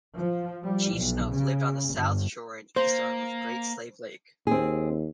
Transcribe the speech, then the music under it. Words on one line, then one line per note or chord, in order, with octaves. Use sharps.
Chief Snuff lived on the south shore and east arm of Great Slave Lake.
F3
G3
B1
C#3
G1
A#3 C5
D#2 C4 G#4